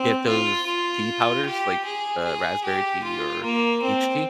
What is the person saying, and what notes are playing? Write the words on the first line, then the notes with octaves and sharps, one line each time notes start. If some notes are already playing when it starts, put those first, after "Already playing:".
get those tea powders, like, uh, raspberry tea or peach tea,
Already playing: C4
F4
F4
G4
G#4
G#4
G4
F4
A#3
C4